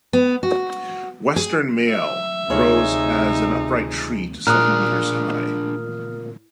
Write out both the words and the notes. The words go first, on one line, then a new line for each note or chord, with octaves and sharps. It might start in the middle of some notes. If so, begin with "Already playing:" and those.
Western myall grows as an upright tree to seven metres high.
B3
F#4
G#4
E5
D2 C3 D#4 F4 G#4 C#5
A#2 D4 G#4 A#5 D#6 F6 F#6